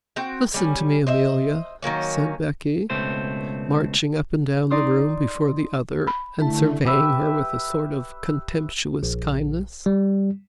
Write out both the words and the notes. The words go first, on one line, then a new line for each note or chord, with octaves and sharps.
"Listen to me, Amelia," said Becky, marching up and down the room before the other and surveying her with a sort of contemptuous kindness.
C4 F#4 G5
G3 C#4
C5 D#5 E5
D#3 F#3 A#3 C#4
C#2 B2 A3 C4 C5
D#4 D5 C6 D#6
B5
D3 A3 E4 A5
G4 B4 E5
A#1
G3